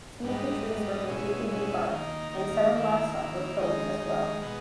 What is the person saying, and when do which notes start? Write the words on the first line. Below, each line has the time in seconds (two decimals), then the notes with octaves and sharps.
Some of the trees were completely debarked, and several livestock were killed as well.
0.22 G#2 G3 B3 D#4
0.64 G#2 G3 B3 D#4
1.06 B2 G#3 C#4 E4
1.48 B2 G#3 C#4 E4
1.90 D#3 A#3 D#4
2.32 D#3 A#3 D#4
2.73 D#3 A#3 E4
3.15 D#3 A#3 E4
3.58 D#3 G#3 D#4
4.00 D#3 G#3 D#4
4.42 B2 G#3 B3 D#4